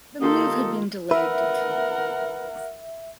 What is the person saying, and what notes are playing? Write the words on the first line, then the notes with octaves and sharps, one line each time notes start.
The move had been delayed due to legal problems.
D#3 A#3 F4 G4 A4 D#5 C6
A#4 B4 E5 F#5